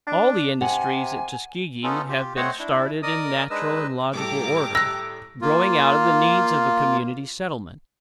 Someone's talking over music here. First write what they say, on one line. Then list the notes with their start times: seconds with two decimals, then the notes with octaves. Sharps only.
All the industries at Tuskegee have been started in natural and logical order, growing out of the needs of a community settlement.
0.07 D4
0.61 C3 F#5 G#5
1.83 B3 C#4 D#4 F4 A4
2.08 F4 G4
2.36 A3 C4 C5 C#5 D#5 F#5
2.59 D4 E4
3.02 A#4 D5 D#5 D#6
3.50 G#3 D4 D#4 B4 D#5 E6
4.13 A2 G3 G4 A4 A#5 D6
4.75 E6 F#6 A#6
5.42 A#3 F4